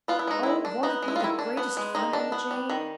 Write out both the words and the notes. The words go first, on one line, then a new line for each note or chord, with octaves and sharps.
Oh! won't it be the greatest fun, Emma Jane?
B3 F4
E4
G#3 D#4
D#3 E4
D4
B3 D#4
G#3
E4
F4
D#3 E4
D4
B3
G#3
D#3 D#4
D4
B3
G3
D#3